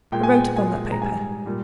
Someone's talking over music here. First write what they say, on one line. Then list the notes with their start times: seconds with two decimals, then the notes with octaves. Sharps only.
"And wrote upon that paper."
0.12 A#2 G#3 G5
0.23 G#5
0.34 G5
0.56 A#2 G#3 G#5
0.92 A#5
1.02 G#2 G3 G#5
1.46 A#2 G3